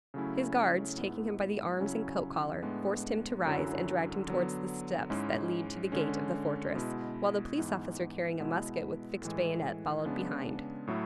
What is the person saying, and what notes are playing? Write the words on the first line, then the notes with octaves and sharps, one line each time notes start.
His guards, taking him by the arms and coat-collar, forced him to rise, and dragged him towards the steps that lead to the gate of the fortress, while the police officer carrying a musket with fixed bayonet followed behind.
C#3 F#3 A3 C#4 E4
G#2 G#3 B3 E4
C#3 F#3 C#4 E4
A2 G#3 B3 D4
F#2 D3 F#3 C#4 E4
D3 F#3 B3
G#2 G#3 C#4 E4
D3 G#3 C#4
B2 G#3 B3 E4
G#2 E3 B3
B2 G#3 B3 E4
A2 E3 G#3
C#3 G#3 B3 D4
A2 F#3 A3 E4